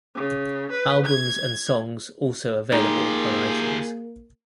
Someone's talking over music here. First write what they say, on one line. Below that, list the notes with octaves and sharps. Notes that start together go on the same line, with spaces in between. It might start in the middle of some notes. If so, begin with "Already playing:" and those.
Albums and songs also available on iTunes.
C#3
B4
G#6
A#3 D#4 F4 G4 G#4